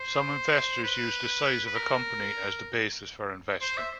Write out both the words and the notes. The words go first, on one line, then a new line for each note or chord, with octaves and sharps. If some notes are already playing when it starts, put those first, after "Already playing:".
Some investors use the size of a company as the basis for investing.
Already playing: C5
B4
B4
A#4
C5
E5